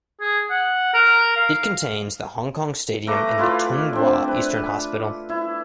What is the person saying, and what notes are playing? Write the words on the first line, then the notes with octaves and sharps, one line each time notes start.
It contains the Hong Kong Stadium and the Tung Wah Eastern Hospital.
G#4
F#5
A#4
F5
A3 B4 A#5 D6
E4 F4 B4 D5
C4 D4
B4
E4